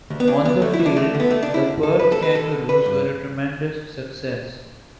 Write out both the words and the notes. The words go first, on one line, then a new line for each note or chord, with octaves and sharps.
On the field, the Perth Kangaroos were a tremendous success.
D2
B3
D2 D4
D2 B3
D3 A3
E4
D2
D4
D3 A3
D3
B3
D3 A3
D4
D3
E4
D3
D3 A4
G2 B4
A4
D3 B4
D3 A4
D3
D3 B4
G2